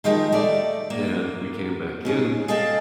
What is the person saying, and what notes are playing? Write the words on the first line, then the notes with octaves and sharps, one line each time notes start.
And we came back in,
D#3 F3 G#3 D#4 G4 A#4
A3 D5
A#3
G#2 C#4 G#4
G#4 A4 D#5 F5 G5 A5